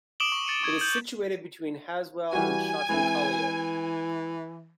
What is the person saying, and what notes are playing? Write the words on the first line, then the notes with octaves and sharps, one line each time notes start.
It is situated between Haswell and Shotton Colliery.
D6 D#6 D7 E7 F#7 G7
C#6
A6 C#7 D#7
C#6 G#6
G6 F#7
E3 G3 F#4 G#5
E3 G#3 C4 E4